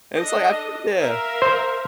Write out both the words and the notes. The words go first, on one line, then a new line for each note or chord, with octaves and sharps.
And it's, like, I f Yeah.
D4 A4 D#5
A#4 E5 F5
C5